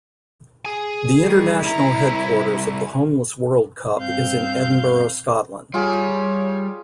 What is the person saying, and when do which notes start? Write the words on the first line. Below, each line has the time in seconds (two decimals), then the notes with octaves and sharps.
The international headquarters of the Homeless World Cup is in Edinburgh, Scotland.
0.65 G#4 G#5
1.23 D#3 G3
1.63 C2 E4 A#5
3.96 G2 C4 F5 G6
5.74 G3 F4 G4 G#4 C#5